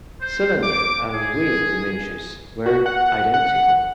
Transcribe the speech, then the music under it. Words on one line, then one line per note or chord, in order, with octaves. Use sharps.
Cylinder and wheel dimensions were identical.
C5
D6
G#4
F#4
F#5
F#5